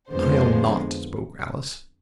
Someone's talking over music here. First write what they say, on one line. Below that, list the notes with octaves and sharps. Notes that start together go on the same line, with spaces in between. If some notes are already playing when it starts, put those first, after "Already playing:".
"I'll not," spoke Alice.
F2 D3 F3 G#3 B3 C5